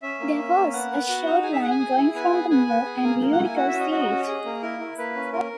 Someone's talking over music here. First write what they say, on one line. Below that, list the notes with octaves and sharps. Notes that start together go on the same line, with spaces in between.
There was a short line going from the mill and we'd go see it.
C#4 E5
A#3
C#4
A#3
B3 F#5
B3
F#4
D#4
G#4 G#5
E5
G#4 F#5
G#5
G#4
E4
B3 G#5
G#4
B3 G#5
B3
G#4
A#3
A#3
F#5
E4
G#5
F#4 F#5
E5
C#4
D#5
F#4
C#4
G#4
A#3
E4 A#4
E4
A#3 B4
C#4
A#3 A#4